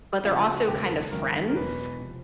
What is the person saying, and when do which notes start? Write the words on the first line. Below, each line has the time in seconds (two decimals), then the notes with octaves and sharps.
but they're also kind of friends,
0.23 D2 C#3 F3 F4
0.39 F4
0.53 F#4
0.67 E1 D#2 C#3 F#3 G4
0.83 A#4
0.89 A4
1.11 G#1 F#2 D#3 F#3 A#4
1.48 A#4
1.55 E1 E2 B2 F#3 B4
1.99 C3 F3